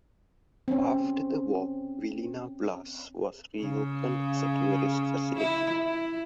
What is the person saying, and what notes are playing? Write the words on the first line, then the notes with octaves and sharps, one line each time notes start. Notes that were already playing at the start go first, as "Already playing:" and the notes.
After the war, Vilina Vlas was re-opened as a tourist facility.
C4 C#4
C#3
E4
E4